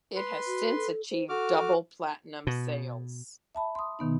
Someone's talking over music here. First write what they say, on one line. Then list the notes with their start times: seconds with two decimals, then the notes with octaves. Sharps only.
It has since achieved double-platinum sales.
0.16 B4 C6
0.47 F#4
0.76 A4
1.11 C5
1.29 F#4 A4 D6 F6
2.47 B2
3.55 E5 A5 B5
3.75 C6 D#6
3.99 B2 D#3 B3 D#4